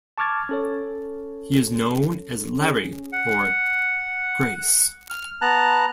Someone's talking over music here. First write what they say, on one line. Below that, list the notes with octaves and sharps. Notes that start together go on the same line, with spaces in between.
He is known as "Larry" or "Grase".
A5 C#6 D6 F6 G#6 A6
C#4 A4 C#5
C#4 G#4
F#5
F6
B3 A5 A#5 F#6